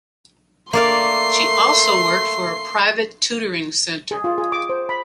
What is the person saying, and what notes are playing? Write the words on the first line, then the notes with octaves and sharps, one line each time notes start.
She also worked for a private tutoring center.
A3 A#3 D5 F5 C6 C7
G#4
F4
G#4
D6
C5
B5